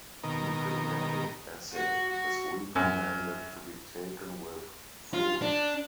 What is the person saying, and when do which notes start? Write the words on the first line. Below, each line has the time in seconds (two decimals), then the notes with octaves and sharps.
Mefenamic acid is recommended to be taken with food.
0.24 B2 D#3 A#4
1.73 F#4
2.10 F#4
2.75 F#2
5.14 F4
5.42 D4